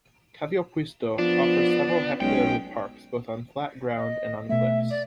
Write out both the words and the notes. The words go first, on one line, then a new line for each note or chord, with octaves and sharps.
Kaivopuisto offers several hectares of parks, both on flat ground, and on cliffs.
F3 B3 D4
B1 G#3 C#4 G5
D#5
B2 A3 E5
D5